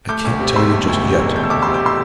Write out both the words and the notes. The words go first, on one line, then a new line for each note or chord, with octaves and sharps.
I can't tell you just yet.
A3 D6 G6
D2
C3
E1 C6 E6
A3
D2
C3
E1
A3 G6
E6
D2 A5 D6
C3 C6 E6
D6 G6
C6 E6